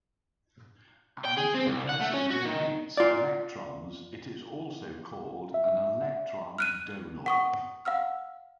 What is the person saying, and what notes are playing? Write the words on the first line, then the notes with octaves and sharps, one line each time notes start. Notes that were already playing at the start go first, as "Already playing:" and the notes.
And because it "donates" electrons it is also called an electron donor.
G5
G#4
C4
C2
F#5
A3
C#4
F#4
D#3
F4 D5
E5
F6 F#6 D#7
F#5 C#6 D#6
F5 F#5 E6 F6